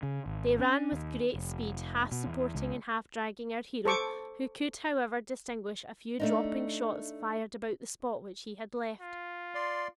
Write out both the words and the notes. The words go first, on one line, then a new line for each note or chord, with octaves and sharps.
They ran with great speed, half supporting and half dragging our hero, who could, however, distinguish a few dropping shots fired about the spot which he had left.
C#3
G#1
C#4
D#2
F1
B2
E2
C#2
A4 C5 C#6 D6
A3 D4 D#4
F4
D5 C6